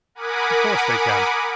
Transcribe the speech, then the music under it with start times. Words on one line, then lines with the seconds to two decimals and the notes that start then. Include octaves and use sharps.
Of course they can.
0.15 A#4 F#5 G#5 B5 D6 D#6